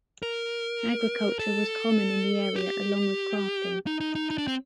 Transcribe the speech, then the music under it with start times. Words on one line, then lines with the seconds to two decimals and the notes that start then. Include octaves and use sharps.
Agriculture was common in the area along with crafting.
0.23 A#4
1.39 A4
2.56 G4
3.87 D#4
4.00 D#4
4.15 D#4
4.30 D#4
4.38 D4
4.47 C4